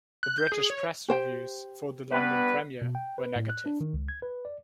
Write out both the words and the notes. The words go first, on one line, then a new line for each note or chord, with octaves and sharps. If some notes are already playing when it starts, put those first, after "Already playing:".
The British press reviews for the London premiere were negative.
F#6
G6
G#4
C#5
G4 C5 G5
G2 B3 B4
B2
G5
B4
A2
F#6
D4
D#3
C#2
G#6
B4
D5